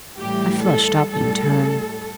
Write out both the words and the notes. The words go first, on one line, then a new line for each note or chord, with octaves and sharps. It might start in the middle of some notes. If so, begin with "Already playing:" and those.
I flushed up in turn.
A2 E3 G3 G4
A4
A2 G3 A4